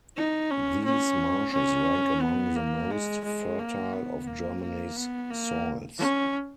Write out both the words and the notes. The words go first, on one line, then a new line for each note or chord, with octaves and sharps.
These marshes rank among the most fertile of Germany's soils.
D#4
C#4
C#4
C#4
B3
A#3
G#3
G#3
A#3
B3
A#3
A#3
B3
A#3
C#4